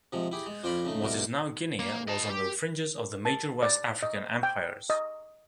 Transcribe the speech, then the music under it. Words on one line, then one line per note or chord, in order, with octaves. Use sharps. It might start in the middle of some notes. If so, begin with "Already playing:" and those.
What is now Guinea was on the fringes of the major West African empires.
C3 F3 G#3
E4 G4 G#4
G#3
F2 F4 C5 D5 A#5 B5
C#3 A3 D#4
C2 B2 A3 A#4
A#3
D#5 A5
G4
A5
D5
D#5
G5
D#5